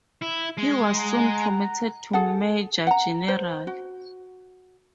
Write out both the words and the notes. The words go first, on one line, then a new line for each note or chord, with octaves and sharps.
He was soon promoted to major general.
E4
G#3
F#5 A#5
G#4 A4 F#5
F#5 A#5
C5
F#4